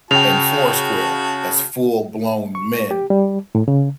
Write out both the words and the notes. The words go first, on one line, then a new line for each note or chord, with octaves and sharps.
and Four Square as full blown men,
C#3 F#4 G5 A5 F7
C#6
G4
G3
A2
C#3